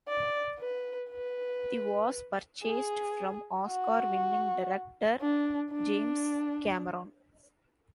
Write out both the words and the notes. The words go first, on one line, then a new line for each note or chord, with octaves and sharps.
The was purchased from Oscar-winning director James Cameron.
D5
B4
B4
G#4
F#4
D4
D4